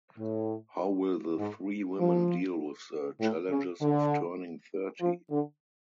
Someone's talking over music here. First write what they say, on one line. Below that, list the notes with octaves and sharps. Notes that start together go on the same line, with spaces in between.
How will the three women deal with the challenges of turning thirty?
A2
G#2
F3
A2
C#3
D3
F3
D3